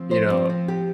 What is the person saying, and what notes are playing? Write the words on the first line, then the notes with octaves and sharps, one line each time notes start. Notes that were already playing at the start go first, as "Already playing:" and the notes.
you know
Already playing: F3 C4
C5
C4
C4
G4